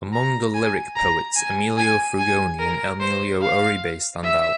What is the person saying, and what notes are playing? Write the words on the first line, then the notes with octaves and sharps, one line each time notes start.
Among the lyric poets, Emilio Frugoni and Emilio Oribe stand out.
A#5
G#5
A#5
G#5
G#5
G#5
A#4
C5
F5
E5